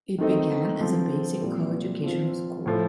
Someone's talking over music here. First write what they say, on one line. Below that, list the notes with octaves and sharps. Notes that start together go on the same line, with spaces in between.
It began as a basic co-educational school.
D#3 A3 C4 D#4
D3 F3 C4
A#2 G3 C4 F4
F3 C4 F4
A2 F3 A3